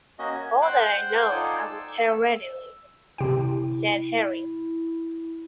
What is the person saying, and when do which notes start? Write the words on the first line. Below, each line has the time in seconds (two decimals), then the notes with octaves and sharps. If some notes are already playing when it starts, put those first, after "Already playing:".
"All that I know I will tell readily," said Harry.
0.19 A#3 C#4 F#4 D#5
0.35 G#5
0.62 C5 F#5 G5 C6 F#6
1.31 D#4 F4 A4 D5 G#5
1.59 E6
3.18 C3 E4 G5